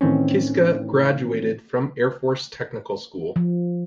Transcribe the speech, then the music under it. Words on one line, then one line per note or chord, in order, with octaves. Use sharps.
Kiska graduated from Air Force Technical School.
A2 D#3 E3 C4 C#4
F3